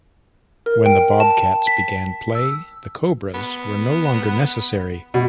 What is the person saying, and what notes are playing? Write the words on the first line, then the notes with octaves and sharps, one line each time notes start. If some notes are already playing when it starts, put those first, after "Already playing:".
When the Bobcats began play, the Cobras were no longer necessary.
A#4
G5
A5
B6
E6
B3
B2